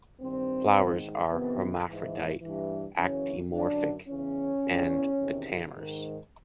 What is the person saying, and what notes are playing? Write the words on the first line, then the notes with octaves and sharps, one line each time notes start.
Flowers are hermaphrodite, actinomorphic and pentamers.
G2 D#3 C4
G#2 D#3
F2 C3 D#3 B3
G#2 E3
G2 E3
F#2 C#3 E3 C#4
F#2 D3 D4
E2 C#3 E3 C#4
E2 C#3 E3
E2 C3 D#3
G#2 D#3